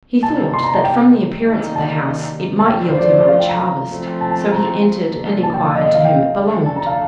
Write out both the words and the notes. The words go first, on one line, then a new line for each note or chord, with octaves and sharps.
He thought that from the appearance of the house it might yield him a rich harvest, so he entered and inquired to whom it belonged.
C3 G3 A#3 D#4 A5
C6
A#5
A5
G5
C3 D#3 G3 A#3 D#4
A5
A5
F3 A3 D4 F4 G5
C5
D5
C5
D5
F5
G5
A#5
A#5
F3 A3 C4 F4
A5
A5
A#5
C3 F3 A#3 D4 A4
A5
G5
F5
D#5
D#5
F5
G5
F2 D3 A3 D4 A4
A5
A#5
F5